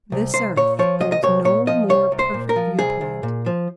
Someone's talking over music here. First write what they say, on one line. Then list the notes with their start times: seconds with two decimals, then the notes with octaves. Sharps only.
This earth holds no more perfect view-point.
0.12 C2
0.34 C2 C5
0.56 A#2 C#5
0.79 F3 C#5
1.00 C2 D#5
1.12 D#5
1.23 C2 C#5
1.45 A#2 C#5
1.67 F3 D#5
1.89 C2 C#5
2.12 C2
2.19 C5
2.34 A#2
2.49 A#4
2.56 F3
2.79 C2 G#4
3.01 C2
3.23 A#2
3.46 F3